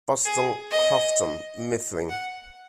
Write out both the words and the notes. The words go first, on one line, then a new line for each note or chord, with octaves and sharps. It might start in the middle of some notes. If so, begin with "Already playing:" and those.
Boston, Houghton Mifflin.
G#4
D#5
F#5